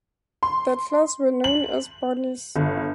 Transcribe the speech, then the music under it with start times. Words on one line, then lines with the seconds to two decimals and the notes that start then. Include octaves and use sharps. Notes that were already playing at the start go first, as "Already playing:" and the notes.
The class were known as 'Barneys'.
0.43 C6
1.44 F#7
2.56 G1